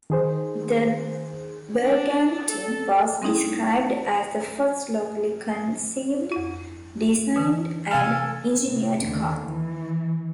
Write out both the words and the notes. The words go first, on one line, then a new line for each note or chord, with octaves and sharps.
The Bergantin was described as the first locally conceived, designed, and engineered car.
D#3 G#4 C5
D4
A4
G3 C4 C#4 D#4 E4 G#4
F2 E4
D3 E3
C3 A4 F5 G#5 F6
A2 C3
D#2 D3
E3